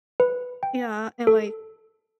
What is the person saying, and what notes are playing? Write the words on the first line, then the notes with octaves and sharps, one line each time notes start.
Yeah, and, like,
B4
G5
A4